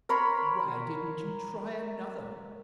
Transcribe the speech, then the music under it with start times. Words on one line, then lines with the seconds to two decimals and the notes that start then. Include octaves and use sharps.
"Why didn't you try another?"
0.09 A#4 C#5 B5 C6